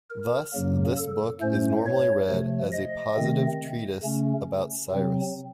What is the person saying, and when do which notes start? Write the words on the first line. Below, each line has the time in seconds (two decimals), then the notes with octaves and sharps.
Thus this book is normally read as a positive treatise about Cyrus.
0.10 A#4
0.53 F#2 C#3 F#3 A#3
0.98 A4
1.41 A2 A3 C#4 C5
1.85 C#5
2.28 C3 F3 A3
2.73 D#5
3.16 C3 D#3 A3 C4
4.03 C#3 A3 C#4
4.90 C3 F#3 C4